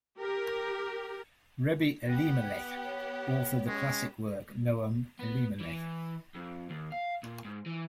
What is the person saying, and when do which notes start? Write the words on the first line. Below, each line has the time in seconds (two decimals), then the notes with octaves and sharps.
Rebbi Elimelech authored the classic work "Noam Elimelech".
0.17 G4 A#4
2.09 B3 G4 F#5
2.84 C#5
3.67 G#3 C#4 C#5
5.19 B3
5.60 E3
6.35 F2
6.70 D#2
6.92 F5
7.23 A#2
7.45 G#2
7.66 E3